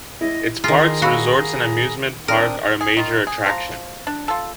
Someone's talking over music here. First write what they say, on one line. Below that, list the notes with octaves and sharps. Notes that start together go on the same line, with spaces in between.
Its parks, resorts, and amusement park are a major attraction.
E4 D#5
D#3 F4 G#4 A#5
F#4 F5 B5 E6
C4 D4 A#4 D#6
G#4
D#3 F4
G#4
F3 G#4 A#5
D4
F4 A4